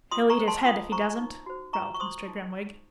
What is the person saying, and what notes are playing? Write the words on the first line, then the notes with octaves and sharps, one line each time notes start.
'He'll eat his head, if he doesn't,' growled Mr. Grimwig.
F4 C6 D#6
A#5 C#6
C5
A5 C6
F4 C6 D#6
C5 A#5 C#6
D#4
F#4 C5
F4 A#5 C#6
C#6
C5 C6 D#6
D#4